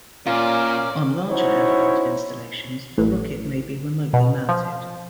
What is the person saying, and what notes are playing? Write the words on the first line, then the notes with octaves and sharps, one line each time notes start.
On larger aircraft installations the rocket may be remotely mounted.
A#2 C#4 F4 A#4 D5
C#4 D#4 E4 F#4 C5 C#5
A1
B2
F3